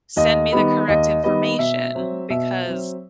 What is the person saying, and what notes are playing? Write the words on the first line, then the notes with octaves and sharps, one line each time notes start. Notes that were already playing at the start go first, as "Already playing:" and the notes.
send me the correct information because,
D#2 D#5
D#3 G3 B3
D#2 D#5
D#3 G3 B3 D#5
B2 E5
F#3 C4
B2 E5
F#3 C4